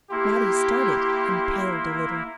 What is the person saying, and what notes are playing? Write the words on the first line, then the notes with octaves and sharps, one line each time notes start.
Mattie started and paled a little.
A#3 E4 G4 C6